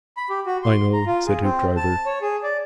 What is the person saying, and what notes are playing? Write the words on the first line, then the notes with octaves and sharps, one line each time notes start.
"I know," said Hoopdriver.
B5
G4
F#4
C6
A#5
F4
G#4
C4
A5
C#5
G#4
D5